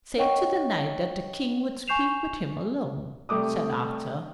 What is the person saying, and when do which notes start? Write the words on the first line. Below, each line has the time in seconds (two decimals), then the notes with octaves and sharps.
"Say to the knight that the King would speak with him alone," said Arthur.
0.17 D4 C#5 D#5 F#5 G5 C#6
1.88 G#5 C#6 G6 C7 E7 F7
3.29 C3 G3 A3 D6 D#6